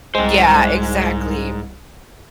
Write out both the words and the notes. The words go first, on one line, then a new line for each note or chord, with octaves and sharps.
Yeah, exactly.
C2 G#2 G#3 C4 C5